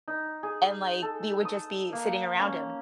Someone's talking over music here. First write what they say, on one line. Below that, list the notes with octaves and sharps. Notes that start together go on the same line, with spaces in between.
and, like, we would just be sitting around him.
D#4
G#4
A4
D#6
A#3
C#4